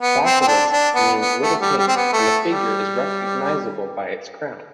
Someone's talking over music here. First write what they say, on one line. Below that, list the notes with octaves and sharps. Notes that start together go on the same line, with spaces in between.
Basilisk means "little king" and the figure is recognisable by its crown.
B3
C4
C4
D4
D4
B3
B3
A3
G3
G3
C4
B3
A3
G3